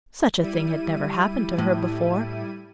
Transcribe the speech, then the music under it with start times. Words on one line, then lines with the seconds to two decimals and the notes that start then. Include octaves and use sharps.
Such a thing had never happened to her before.
0.41 G3 E4 D#7
1.58 A2